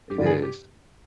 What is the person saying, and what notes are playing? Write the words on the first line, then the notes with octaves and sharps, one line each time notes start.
It is.
G4
G2 D3 G3
G#4
G4